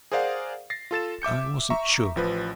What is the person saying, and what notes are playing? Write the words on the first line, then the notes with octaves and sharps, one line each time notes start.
I wasn't sure.
G#4 A#4 C5 D5 F5 F#5
A6 A#6 C7
F4 A4 A6 E7
E5 D6 G6 C#7
E5 A#5 C#6
A1 F3 B4